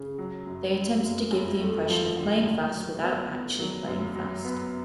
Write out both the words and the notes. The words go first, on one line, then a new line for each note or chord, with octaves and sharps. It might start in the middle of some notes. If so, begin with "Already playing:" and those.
They attempted to give the impression of playing fast without actually playing fast.
Already playing: C#3
F#3
F#2
F#3
F#2
F2
A3
F3
D3
A2
F#3
B3
B3
F#3
F#2
F#3
B3